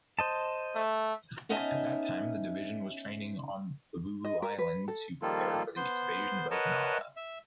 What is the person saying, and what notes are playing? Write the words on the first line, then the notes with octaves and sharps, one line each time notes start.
At that time, the division was training on Pavuvu Island to prepare the invasion of Okinawa.
C5 D#5 A5
A3
B3 C#4 D#4 D#5 E5 A5
D#5
A#4
B4
A4
D#3 F3 G3 A#3 F4 A4
B3 C5 C6
A#4 B4 C#5 D#5 F#5 A5
E5